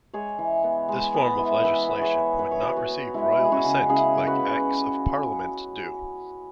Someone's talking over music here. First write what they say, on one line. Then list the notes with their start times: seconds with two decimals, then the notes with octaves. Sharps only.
This form of legislation would not receive royal assent like Acts of Parliament do.
0.14 G#3 G#4 C#5
0.38 E3
0.64 B3
0.89 G#3
1.14 B3
1.39 E3
1.64 E3 B4 E5
1.89 B3 E5
2.01 G#4 C#5
2.14 B3
2.39 E3 B4
2.51 C#5
2.63 B3 F#4 B4
2.77 F#4 B4
2.89 B3
3.14 G#3 E4
3.40 G#3
3.45 G#4
3.52 C#4 F#4
3.64 C#3
3.89 C#3 E4 G#4
4.14 C#3
4.27 F#4 B4
4.39 C#3